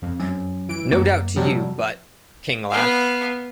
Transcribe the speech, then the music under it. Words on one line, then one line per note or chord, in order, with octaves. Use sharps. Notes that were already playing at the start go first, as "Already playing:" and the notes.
"No doubt, to you, but — " King laughed.
F2
F#2
E3 D7
F#2 A#3 F#5
F2 C3 F#3 G3
B3 F5